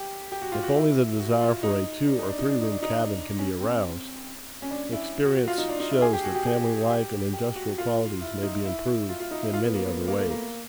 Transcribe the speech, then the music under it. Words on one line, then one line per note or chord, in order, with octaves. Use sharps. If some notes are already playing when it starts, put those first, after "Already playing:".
If only the desire for a two- or three-room cabin can be aroused, experience shows that family life and industrial qualities may be improved in many other ways.
Already playing: G4
G4
F#4
F4
F#4
E4
F#4
F4
D#4
D4
D#4
D4
D#4
D4
D#4
D4
D#4
D4
C#4
C4
C#4
D4
E4
F#4
F#4
F4
D#4
D4
D#4
E4
G#4
G4
F#4
G4
G#4
G4
G4
F#4
F4
E4
D#4
E4
F4
F4
D#4
E4
F4
B3
A#3
B3
A#3
A3
A#3